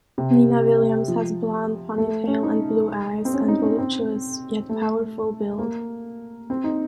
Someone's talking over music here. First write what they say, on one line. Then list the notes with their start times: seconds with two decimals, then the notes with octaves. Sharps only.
Nina Williams has blonde ponytail and blue eyes, and voluptuous yet powerful build.
0.18 C3
1.08 F3
1.98 A3
2.27 C#4
2.43 D#4
3.25 C4
3.34 C#4
3.48 D#4
3.63 C#4
3.78 C4
4.69 A3
5.58 A#3
6.50 C4
6.64 D#4